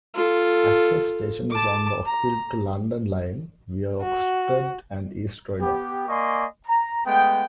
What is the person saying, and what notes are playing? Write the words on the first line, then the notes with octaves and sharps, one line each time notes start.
Ashurst station is on the Uckfield to London line via Oxted and East Croydon.
F4 A4
A5 D6
A#5
F#4
B3 G4
A#3 D5 D#5 G#5 C6 C#6
A#5
G#3 A3 B3 F#5 G5